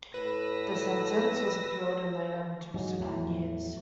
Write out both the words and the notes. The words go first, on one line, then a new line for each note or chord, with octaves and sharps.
The sentence was appealed and later reduced to nine years.
A2 B4 E6 A#6
G#2 F#3
E2 A2